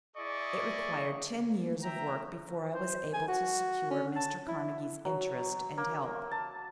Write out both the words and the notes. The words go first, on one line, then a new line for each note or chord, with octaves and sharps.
It required ten years of work before I was able to secure Mr. Carnegie's interest and help.
E4 G#4 D5 D#5 C#6
E5 G5 A#5
C5
G#5
F#4
C#4
A5
E4
F#3
A#3
A5